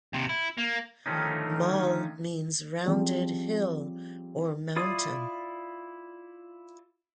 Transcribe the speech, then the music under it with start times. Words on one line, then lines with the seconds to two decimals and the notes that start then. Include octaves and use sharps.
Mull means rounded hill or mountain.
0.13 D#2 C3
0.29 E4
0.58 A#3
1.06 D3 D#3 F3 A3 C#4 D#4
2.85 F3 G3 C4 C#4 G#4 D5
4.76 E4 F4 D5 D#6